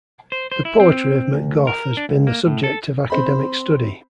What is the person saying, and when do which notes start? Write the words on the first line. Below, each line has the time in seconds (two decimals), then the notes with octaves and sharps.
The poetry of McGough has been the subject of academic study.
0.32 C5
0.52 C5
0.65 E4
0.80 C4
1.34 D2
1.67 A#4
1.97 D4
2.09 C#2
2.27 A#3
2.47 A2
2.64 A4
3.10 C4 C5 B5